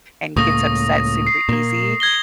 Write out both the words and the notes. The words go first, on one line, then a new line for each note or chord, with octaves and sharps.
and gets upset super-easy,
C#2 A2 A#3 C#6 D#6 A#6
C7
A#2 A#3
G#6 A#6 G7